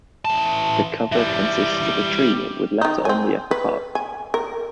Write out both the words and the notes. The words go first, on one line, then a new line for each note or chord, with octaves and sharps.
The cover consists of a tree with letter on the upper part.
E3 A5
E3 G3
D#3 D#4
C4 G#5
B4
G#5
A#4